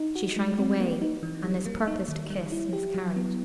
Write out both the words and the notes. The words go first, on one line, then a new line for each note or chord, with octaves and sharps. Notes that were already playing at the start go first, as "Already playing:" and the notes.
She shrank away, and his purposed kiss miscarried.
Already playing: D#4
F#4
G#3
C4
A#3
D#4
E3
G3
A#3
D#4
D#3
G3
E4
G4
F#3
B3